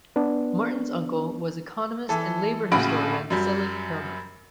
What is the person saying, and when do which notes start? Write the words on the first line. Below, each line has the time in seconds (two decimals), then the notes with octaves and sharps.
Martin's uncle was economist and labor historian Selig Perlman.
0.16 B3 D4
2.09 E3 A4
2.72 A#1 A2 C#3 F#4 B5 D7
3.30 F#2 F#3 G3